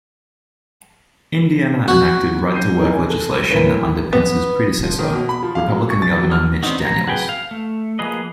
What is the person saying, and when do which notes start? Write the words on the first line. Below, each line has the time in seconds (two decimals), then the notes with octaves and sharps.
Indiana enacted right-to-work legislation under Pence's predecessor, Republican governor Mitch Daniels.
1.88 F#4
2.54 G6 C7 D#7
2.78 E3 D#4 A#4
2.93 G#5
3.09 A4 F#6
3.37 C2
3.50 D2 A2 A#4 B4 C#5 B6
4.13 B3
4.83 F3
4.99 D#3
5.13 B2
5.29 B5
5.43 F3
5.55 F5
5.68 F#3
5.90 C#6
6.02 A6
6.18 F#3
6.31 F6
6.63 B3 C4 D4 D#4 F#4
6.80 A#5
7.07 F#4 G#4 B4 G5
7.29 F5
7.51 A3
7.99 F3 A#3 G#4 B4 D#5